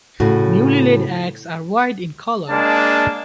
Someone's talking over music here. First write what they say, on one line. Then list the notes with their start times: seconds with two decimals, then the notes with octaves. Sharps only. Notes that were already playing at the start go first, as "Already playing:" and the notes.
Newly laid eggs are white in color.
0.20 A2 C#3 F#4
2.50 G#3 A#3 D4 A5